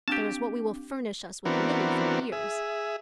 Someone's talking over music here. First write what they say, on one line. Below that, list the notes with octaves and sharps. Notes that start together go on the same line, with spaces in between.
There is what will furnish us with linen for years.
C4 D4 G4 A5 D6
E3 B3 C4 D4 F#4 A#4
G#4 E5